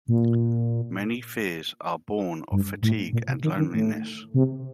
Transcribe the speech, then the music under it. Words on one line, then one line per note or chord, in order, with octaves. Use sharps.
Many fears are born of fatigue and loneliness.
A#2
G2
A2
A#2
C3
D#3
D#3
A2
C3